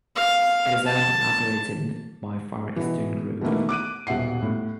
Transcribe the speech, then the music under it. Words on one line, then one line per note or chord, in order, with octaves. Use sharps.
It is owned and operated by Far Eastern Group.
F5
A5
B2 E3
B2 D#3 E3 A3 A#3
D6 F#6 D7 D#7
D#1 B2 E5 F#5 C7
A2